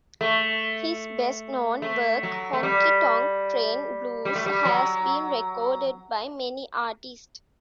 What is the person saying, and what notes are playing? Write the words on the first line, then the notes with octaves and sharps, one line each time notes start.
His best-known work, "Honky Tonk Train Blues", has been recorded by many artists.
A3
A3
F#3
A3
G3
G3
A3
G3
F#3